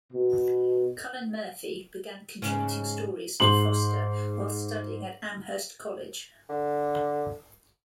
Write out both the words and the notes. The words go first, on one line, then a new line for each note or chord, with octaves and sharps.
Cullen Murphy began contributing stories to Foster while studying at Amherst College.
B2
G#2 C#3 C#4
G#2 C6 F#7
D3